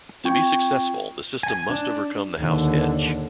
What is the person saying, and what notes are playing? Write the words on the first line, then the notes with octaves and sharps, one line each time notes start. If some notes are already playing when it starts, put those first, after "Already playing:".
To be successful, the system must overcome the house edge.
C4 F4 G5 C#6 G#6
G#5
D4
D#2 D3